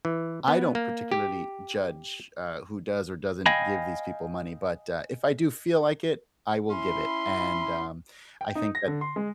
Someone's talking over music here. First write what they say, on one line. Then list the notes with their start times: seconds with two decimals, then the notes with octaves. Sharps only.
I don't particularly judge, uh, who does or doesn't give these people money, but, uh, if I do feel like it, I will give it, and, um, I think that
0.05 E3
0.48 B3
0.75 A#3
1.12 G4
3.46 D#5 F5 G5 G#5 B5
6.70 C#4 E4 B5 C6
8.41 G5
8.55 D#4
8.75 A#6
8.88 D3
9.01 C6
9.16 G#3